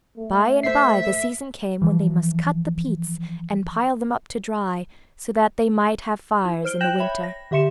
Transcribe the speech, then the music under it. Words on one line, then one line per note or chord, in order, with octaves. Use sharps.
By and bye the season came when they must cut the peats and pile them up to dry, so that they might have fires in the winter.
A3
C5 E5 C7
E3 F3
E4
C5 F6 D7 G7
G5 F#6 G6 A#6 E7 F#7
C#5 E5 B5
A#6
D3 G4 E5 C6 C#7 E7